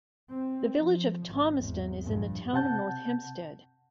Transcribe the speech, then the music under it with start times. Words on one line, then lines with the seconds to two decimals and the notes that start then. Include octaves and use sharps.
The Village of Thomaston is in the Town of North Hempstead.
0.29 C4
0.80 F3
1.27 G#1
1.58 G#1 E2
2.03 A#1 G2
2.53 C3 F#5 A5 G6